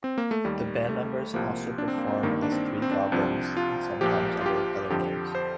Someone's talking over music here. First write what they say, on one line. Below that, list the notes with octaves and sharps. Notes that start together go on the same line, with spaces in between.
The band members also perform as Thee Goblins and sometimes under other names.
C4
A#3
A3
D#2 D#3 G3
A3
C2 C3 F3 A#3
D4
C4
A#3
C4
G1 G2 D#3 A#3
D4
C4
C4
D4
C4
C2 C3 F3 D4
F4
A#1 A#2 F3 G4
F4
G4
F2 D3 F3 G4
C5